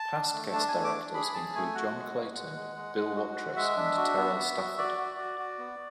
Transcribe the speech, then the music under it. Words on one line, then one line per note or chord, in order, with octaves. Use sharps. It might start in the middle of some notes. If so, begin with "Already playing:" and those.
Past guest directors include John Clayton, Bill Watrous, and Terell Stafford.
Already playing: A5
D4
A3
D4 A5
G#5
A3
D6
D4
G#4 B5
G#4 A5
A3 G#5
F#4 F#5
G#3
G#3
G#3
G#3
G#3
G#3
F#4
G#3
G#3 E5
D4
F#4
B3
B3
F#4
F#4 D5
F#4
F#4
F#4
B3